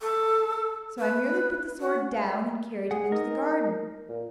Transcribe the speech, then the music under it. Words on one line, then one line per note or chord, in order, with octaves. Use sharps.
So I merely put the sword down and carried him into the garden.
A4
B4
F#4
G#4 F#5
D#4 A#4 D#6
A#2